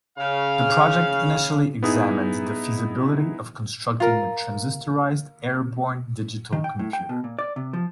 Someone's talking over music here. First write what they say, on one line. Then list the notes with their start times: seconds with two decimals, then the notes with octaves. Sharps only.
The project initially examined the feasibility of constructing a transistorized airborne digital computer.
0.18 C#3 F5
1.83 B3 D#4 E4 G#4
4.00 F4 A#4
6.53 D#3
6.64 G5
6.79 A2
6.93 G5
7.09 B2
7.24 A#2
7.39 D5
7.56 C3
7.73 F3